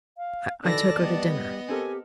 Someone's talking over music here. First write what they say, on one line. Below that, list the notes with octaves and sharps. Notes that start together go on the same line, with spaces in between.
I took her to dinner.
F5
D#3 E3 F#3 A4 B4 D5 A5 A#6
G3 B3 D#5
C4 G4 A4 A#4 G#5